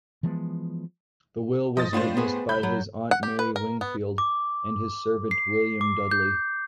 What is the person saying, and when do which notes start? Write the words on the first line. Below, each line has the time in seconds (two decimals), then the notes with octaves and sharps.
The will was witnessed by his aunt Mary Wingfield and his servant William Dudley.
0.23 E3 F3 G#3 B3
1.77 F3 D#5 D#6 A6
1.93 A2 D4 F4 C5 C#5
2.17 B3 G#4
2.49 C2 B5 G6
2.63 F#3
3.11 F#5
3.23 G4
3.39 B4
3.56 A#4
3.81 B3
4.18 D6
5.31 C7
5.81 D6
6.11 G6